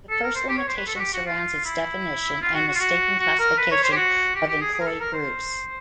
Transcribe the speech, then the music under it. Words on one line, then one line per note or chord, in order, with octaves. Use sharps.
The first limitation surrounds its definition and mistaken classification of employee groups.
A4
A#4
C5
G4
C#5
C5
B4
A4
F#4
G4
F#4
F4
E4
F4
F#4
F#4
F4
F#4
F#4
A#4
B4
C#5
C5
G4
F#4
G4
G4
G#4
G#4
A#4
A4
A#4
C5